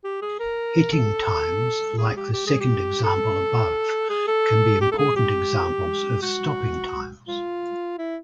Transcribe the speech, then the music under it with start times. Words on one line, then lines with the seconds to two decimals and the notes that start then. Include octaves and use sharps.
Hitting times like the second example above can be important examples of stopping times.
0.04 G4
0.22 G#4
0.39 A#4
0.92 A4
1.98 G#4
2.16 G4
2.33 G4
2.47 G#4
2.60 G4
3.04 A4
4.09 G#4
4.27 A4
4.81 G4
4.92 A4
4.98 G#4
5.16 G4
6.22 F#4
7.28 F4
7.98 E4